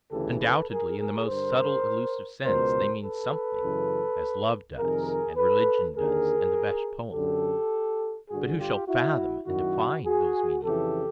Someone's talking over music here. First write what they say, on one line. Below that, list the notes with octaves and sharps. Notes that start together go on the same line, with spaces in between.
Undoubtedly in the most subtle-elusive sense they mean something--as love does, and religion does, and the best poem;--but who shall fathom and define those meanings?
D2 C#3 E3 G4 A4
A4 B4
G#4 A#4
G#4 A#4
G2 D3 A#4 C5
C#2 B2 A#4 C5
A4 B4
F#2 C#3 E3
F2 C3 D#3 G#4 A#4
A4 B4
D#2 D3 G#4 A#4
F#2 D3 G4 A4
G2 D3 F#4 G#4
F4 G4
E4 F#4
F#2 D#3 E4 F#4
F#4 G#4
F2 C#3 E3 G4 A4